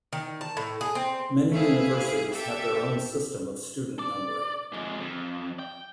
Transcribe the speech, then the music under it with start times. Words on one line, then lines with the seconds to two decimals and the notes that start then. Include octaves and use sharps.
Many universities have their own system of student numbering.
0.13 D#3
0.41 A5
0.57 A2
0.81 G#4
0.95 C4
1.52 A3 C4 E4 G#4 F5
2.31 G4 A4 E5
3.99 D5
4.73 F2 G#3
5.00 F2
5.59 G5